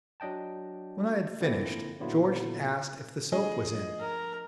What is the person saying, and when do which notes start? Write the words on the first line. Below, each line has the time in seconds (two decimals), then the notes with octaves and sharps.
When I had finished, George asked if the soap was in.
0.20 F#3 D4 D#5 G5 A5
1.41 D3 F3 A#3 C4 E4 A#6
2.00 A#2 D3 F#3 B3 E4 F4
3.32 F3 A3 D4 G#4 D#5 G#5
4.01 A#4